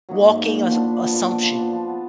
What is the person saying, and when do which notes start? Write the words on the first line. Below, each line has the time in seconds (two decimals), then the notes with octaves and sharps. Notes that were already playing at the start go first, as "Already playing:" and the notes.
walking assu assumption.
0.09 F#3 A#3 D#4
0.24 G#2
0.39 F#3 A#3 D#4
0.53 A#2
0.69 F3 B3 D4
0.83 A#2
0.97 F3 B3 D4
1.13 A#2
1.28 F3 B3 D4
1.42 A#2
1.58 F3 B3 D4
1.72 F3
1.87 B3 F4